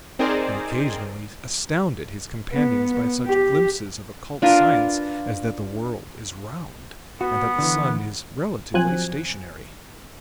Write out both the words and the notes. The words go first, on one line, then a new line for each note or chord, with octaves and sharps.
He occasionally astounded his companions by such glimpses of occult science as that the world is round and that the sun is relatively stationary.
C4 D#4 G#4 A#4 C5 D5
B3
G4
D4 F4 A#4 B4
B3 F#4
D3 E3
F3 F#3 C4 G#5 F#6